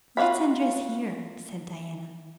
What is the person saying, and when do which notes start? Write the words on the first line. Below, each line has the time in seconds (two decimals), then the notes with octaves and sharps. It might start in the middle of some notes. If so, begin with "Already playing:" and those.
"Let's undress here," said Diana.
0.17 F4 F#4 C#5 F5 B5